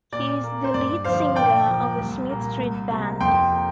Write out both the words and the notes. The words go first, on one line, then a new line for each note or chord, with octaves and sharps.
He is the lead singer of The Smith Street Band.
A#2 D5
A#3
C5
G2 D5
D3 F3 C4 C5 F5
A#2 D5 G5
F3 A#3
C2
A#2 A#3
C2
C3 G3 A#3
F2 G5 C6
A#3